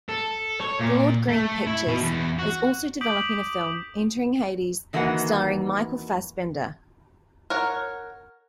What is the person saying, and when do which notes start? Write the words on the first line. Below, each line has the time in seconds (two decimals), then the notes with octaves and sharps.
Broad Green Pictures is also developing a film "Entering Hades" starring Michael Fassbender.
0.09 A4
0.61 C#5
0.80 A#2
1.28 A3
1.67 E4
1.87 B2
2.01 E2
2.39 F#4
3.01 D6 D#6 G6 B6 D7 F#7
4.93 D#3 E3 A#3 F#4 B4 F#5
7.50 A#4 C#5 F#5